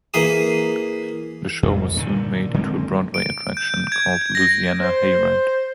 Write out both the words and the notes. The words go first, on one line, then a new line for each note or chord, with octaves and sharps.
The show was soon made into a Broadway attraction called "Louisiana Hayride".
E3 A#3 G#4 D#6
F2 G#2
A#2 D3 D#3
D3 G#3 A#3 C4
D7
G6
G#6
A#6
C5